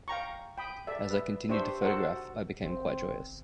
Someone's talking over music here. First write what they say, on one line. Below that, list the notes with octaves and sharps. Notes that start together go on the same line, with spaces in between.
As I continued to photograph I became quite joyous.
F5 G5 A#5 C#6
G5 B5 D#6
A4 D5 E5
B4 E5
D4 G4 C5 E5 C#6 E6
F#4 A4 A#4 C5 F#5
G1 C4